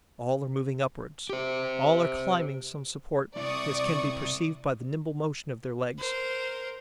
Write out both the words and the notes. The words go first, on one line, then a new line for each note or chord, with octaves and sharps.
All are moving upwards, all are climbing some support, as can be perceived by the nimble motion of their legs.
G4 C5
C3 E4 D5 C#6 D#6
A#4 C5